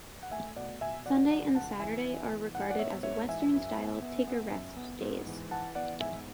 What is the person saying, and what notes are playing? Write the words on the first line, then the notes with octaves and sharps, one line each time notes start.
Sunday and Saturday are regarded as "Western style take-a-rest days".
F#5
A3 E5 G#5
B2 D5 F#5
B2 E5 G#5
F#3 D5 F#5
C#2 D5 F#5
C#2 F#5 A5
E3 E5 G#5
B3
E3
G#2 F#5
G#5
D5 F#5
B3 C#5 E5
G#2 C#5 E5
E3 E5 G#5
F#2
B3
B3
B3
F#2
B3
G#2
E3
E3 F#5 A5
B3 D5 F#5
G#2 E5 G#5